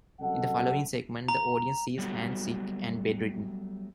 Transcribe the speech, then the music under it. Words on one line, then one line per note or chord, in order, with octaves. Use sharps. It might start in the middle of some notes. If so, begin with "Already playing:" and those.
In the following segment, the audience sees Hans sick and bedridden.
C2 C#3 F#3 A4 D#5 F#5
A#5
F#3 G3 A3 B3 F4 F#4